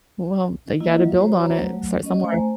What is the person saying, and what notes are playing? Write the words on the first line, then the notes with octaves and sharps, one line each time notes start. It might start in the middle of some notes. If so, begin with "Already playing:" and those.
Well, you gotta build on it and start somewhere.
A#3 E4 D#5
F#3 F4 E5
F#4 C5 C#5 A#5
F#3 A3
C#4 D#5
A3 C5 G#5 A#5